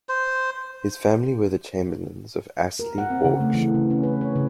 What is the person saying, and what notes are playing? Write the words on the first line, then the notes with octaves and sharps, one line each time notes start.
His family were the Chamberlaines of Astley, Warwickshire.
C5
A#4
F#5
C4
C#3
A3
E3
C#3
C#4
B4
C#5
C#3